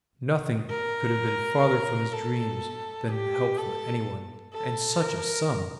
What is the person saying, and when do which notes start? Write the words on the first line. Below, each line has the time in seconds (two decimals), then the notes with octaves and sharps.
Nothing could have been farther from his dreams than help from any one--and such a sum!
0.70 A#4
2.13 A4
3.09 G4
3.58 A4
4.54 A4
5.02 A#4